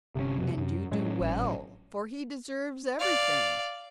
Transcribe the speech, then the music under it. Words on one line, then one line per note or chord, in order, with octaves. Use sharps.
'And you do well, for he deserves everything.
G1 C3 C#4
F2 B2 F#3
F#2
A2 F#3 G#3 C#4
G#1
D5 F5